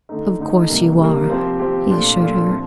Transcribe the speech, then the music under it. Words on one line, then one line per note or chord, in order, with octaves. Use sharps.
"Of course you are," he assured her.
D3 A3 D#4
D3 A3 D#4
C3 G3 A#3
C3 G3 A#3
F3 C4 G4
F3 C4 G4
A#2 A3 D4 F4
A#2 A3 D4 F4
F3 C4